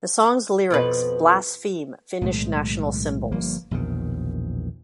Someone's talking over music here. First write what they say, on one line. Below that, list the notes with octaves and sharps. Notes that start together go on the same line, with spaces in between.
The song's lyrics blaspheme Finnish national symbols.
F2 B2 B4
B1 A2 D#3 G#3
G1 F3 G3 A#3
A#1 E2 B2 D#3